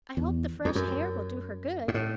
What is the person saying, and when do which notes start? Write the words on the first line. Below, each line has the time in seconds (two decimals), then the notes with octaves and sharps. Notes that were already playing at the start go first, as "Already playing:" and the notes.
"I hope the fresh h'air will do her good."
0.17 E2
0.65 F2
0.75 F#2
1.88 G#2
1.94 A2